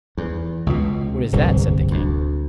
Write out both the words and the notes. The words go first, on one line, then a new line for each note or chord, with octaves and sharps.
"What is that?" said the king.
E2
C#2 B2
D1 G1 C2
D2